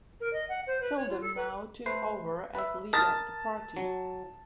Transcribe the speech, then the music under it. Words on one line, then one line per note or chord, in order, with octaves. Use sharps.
Kilbom now took over as leader of the party.
A#4
D#5
F#5
C5
B4
C#5
F4
A4
B4
A3 B4 C5 C7
B4 E5
A#4 A5 D#6 F6 A6
F#3